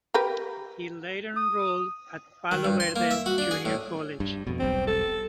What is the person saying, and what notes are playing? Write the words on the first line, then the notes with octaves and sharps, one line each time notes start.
He later enrolled at Palo Verde Junior College.
G4 A#4 B4
D#6
D#3
G2
C6
A#3
E5
F#4
D4
G#4
A2
G2
F2 B2
E1 B1 G3 C4
A4